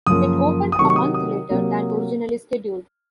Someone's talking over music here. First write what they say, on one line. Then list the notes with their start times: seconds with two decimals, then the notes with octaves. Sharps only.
It opened a month later than originally scheduled.
0.07 F#2 C#3 F3 A#3 D#6
0.72 D#6
0.79 C3 D#3 F#3 C#6
0.90 C#6
0.96 D#6
1.14 D#6
1.50 C3 F#3 A#3